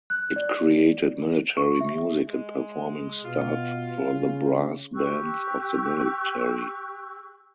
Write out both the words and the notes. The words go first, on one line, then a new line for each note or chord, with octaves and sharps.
It created military music and performing staff for the brass bands of the military.
F#6
D5
C#6
E5
G#3
B2 F4
C#3
G4 C#6 E6 F#6